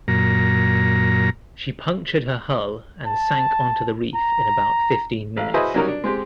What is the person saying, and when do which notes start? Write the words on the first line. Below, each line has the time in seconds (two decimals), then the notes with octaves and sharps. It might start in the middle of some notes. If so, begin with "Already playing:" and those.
She punctured her hull and sank onto the reef in about fifteen minutes.
0.08 F#2 A#2 A#5
3.06 A5
4.15 A#5
5.37 A1 F5
5.54 E4 F#4 G#4 B4 C5 D#5
5.74 F#3 G3 C#4 D#4 F#4 A#4
5.88 D4
6.04 G#3 C4 G4